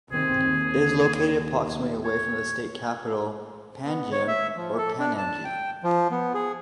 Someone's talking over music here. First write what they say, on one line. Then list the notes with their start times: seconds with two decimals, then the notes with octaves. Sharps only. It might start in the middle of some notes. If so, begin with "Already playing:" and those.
It is located approximately away from the State capital Panjim or Panaji.
0.12 C3 D#3 C4 G#4
0.45 D#2
2.05 C#5
3.85 B3
4.12 C#5
4.28 E5
4.57 F3
4.78 A4
4.99 D4
5.18 A5
5.45 G5
5.83 F3
6.11 B3
6.34 G#4